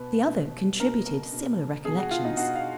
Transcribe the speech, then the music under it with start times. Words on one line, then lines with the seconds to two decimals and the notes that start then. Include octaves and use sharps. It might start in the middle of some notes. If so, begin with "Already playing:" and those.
The other contributed similar recollections.
Already playing: B2 B4
0.27 B2
0.80 B2 A#4
1.06 A#4
1.33 B2
1.85 B2 G#4
1.98 F#4
2.11 F4
2.25 D#4
2.37 B2 F#4
2.55 F5